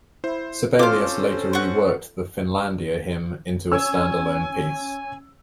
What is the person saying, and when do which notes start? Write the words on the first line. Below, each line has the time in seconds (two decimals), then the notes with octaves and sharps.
Sibelius later reworked the "Finlandia Hymn" into a stand-alone piece.
0.24 E4 C5
0.79 C4 C#4 F4 A4 C5 D6 F6
1.53 F#5 C#6
3.72 C#4 G#5 E6